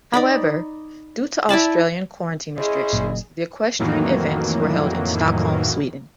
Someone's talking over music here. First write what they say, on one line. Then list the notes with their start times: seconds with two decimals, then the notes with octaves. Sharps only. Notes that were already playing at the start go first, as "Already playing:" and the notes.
However, due to Australian quarantine restrictions the equestrian events were held in Stockholm, Sweden.
0.13 D#4 D5 B5
1.49 E4 D5 A5 B5
2.57 C#4 E4 G#4 C5 D#5
2.93 F#1 F#2 A#2
3.79 F2 A2 D#3 E3 F#3 A#3